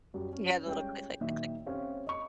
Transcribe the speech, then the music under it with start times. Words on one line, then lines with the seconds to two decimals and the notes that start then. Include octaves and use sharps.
Yeah, the little click, click, click, click.
0.14 F#2 G3 F#4
0.33 C#4
0.66 G3 G#3 C#4 F4 C#5 G5
1.21 A#2 D#3 F#3 E5
1.66 C4 C#4 G4 C5 C#5 F5
2.07 D#5 C#6